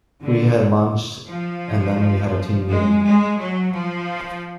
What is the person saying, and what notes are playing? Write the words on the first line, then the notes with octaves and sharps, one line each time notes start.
We had lunch and then we had a team meeting.
D3
F3
G#3
G#3
F#3
F3